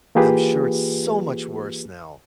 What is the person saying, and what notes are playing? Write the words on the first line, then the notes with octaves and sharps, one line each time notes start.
I'm sure it's so much worse now.
E3 A#3 F4 G4 G#4 B4